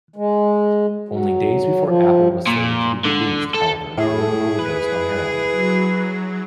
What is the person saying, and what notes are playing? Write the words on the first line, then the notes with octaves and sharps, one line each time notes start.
Only days before "Apple" was slated to be released, however, Wood overdosed on heroin.
G#3
F#3
F3
A#2
D3
A4
A2 E4 G#4
B4
F#3